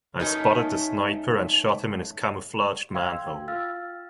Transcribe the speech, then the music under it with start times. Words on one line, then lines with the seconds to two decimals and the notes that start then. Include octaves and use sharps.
I spotted the sniper and shot him in his camouflaged manhole.
0.20 A3 C#4 D#4 A#4
2.95 F5 G5 C6 E6 G#6
3.48 F4 F5 E6 F6 A6